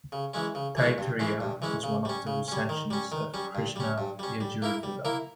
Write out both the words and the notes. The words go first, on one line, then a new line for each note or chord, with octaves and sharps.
Taittiriya is one of the recensions of Krishna Yajurveda.
C#3
E3 G#3 C#4
C#3
E3 G#3 C#4
G2
E3 G#3 C#4
G2
E3 G#3 C#4
C#3
G3 C#4
C#3
G3 C#4
D#3
G3 C#4
D#3
G3 C#4
G2
G3 C#4
G2
G3 C#4
G3
A#3 E4 A#4
G3
A#3 E4 A#4